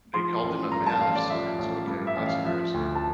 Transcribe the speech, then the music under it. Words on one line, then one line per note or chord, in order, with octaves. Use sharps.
They called them "a man of science," okay, that's interesting.
F3 C6
A1
G2 A#5
A5
A1 F5
D5
F3 E5
A1
G2
E5
A1
F5
F3 E5
D2
A5